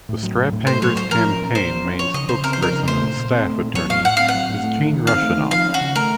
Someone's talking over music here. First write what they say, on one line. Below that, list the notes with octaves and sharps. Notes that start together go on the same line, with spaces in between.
The Straphangers Campaign's main spokesperson and staff attorney is Gene Russianoff.
A2
F#3
A2
A2
A3 C5
F#3 C#5
A2 C5
F3 A#4
C#4
A#2
A#3 C5
F3
C#4
F3 C#5
C#3 D#5
C#3 C5
C4 A#4
C5
F3 A#4
C#3
A3 C5
A#2
A#2
C4
A3
A#2
F#3 C#5
A2 F5
A2 F#5
C4 F5
F#5
F#3
A2
A3
D#3
D#3
C4 F5
A3
D#3
F3 F5
C#4
F#4
C#3
A3 A#4